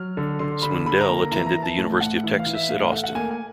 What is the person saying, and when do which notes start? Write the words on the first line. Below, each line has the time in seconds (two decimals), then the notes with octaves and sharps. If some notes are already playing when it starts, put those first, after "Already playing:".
Swindell attended the University of Texas at Austin.
Already playing: F#3 F6
0.17 D3
0.39 D3 C6
0.62 D3 B5
0.85 D3 B5
1.01 A#5
1.09 A#3
1.16 A#5
1.32 E3 A#5
1.46 A#5
1.54 E3
1.63 A5
1.77 A2 A5
2.00 A2 F#5
2.23 E3 E5
2.39 F5
2.46 E3
2.55 E5
2.69 A2 F5
2.80 F5
2.92 A3 F#5
3.04 F#5
3.15 A#3 G#5
3.31 G#5